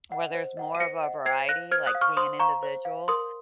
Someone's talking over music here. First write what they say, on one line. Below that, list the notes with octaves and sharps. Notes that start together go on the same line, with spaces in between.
where there's more of a variety, like, being individual
D#5 F#5
C5
D#5 F#5
D#7
C5 A#6 C#7
D#5 F#5
C5 G#6 C7
F5 F#6 A#6
C5 F6 G#6
D#6 F#6
F5
C#6 F6
C5 C6 D#6
F5 A#5 C#6
C5
F5
A#4 C6 D#6